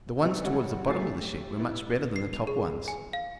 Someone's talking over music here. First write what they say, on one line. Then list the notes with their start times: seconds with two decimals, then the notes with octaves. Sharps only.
The ones toward the bottom of the sheet were much better than the top ones.
0.23 D#3 G3 B3 C4 G#4
0.44 G3 G#3 F#4 C#5 F#5
0.86 E2 A3 F#4 G#5 A6 C7
1.00 A3 G4
1.57 B3 E4
2.16 C7
2.33 F7
2.47 G#4
2.88 G#5
3.13 F5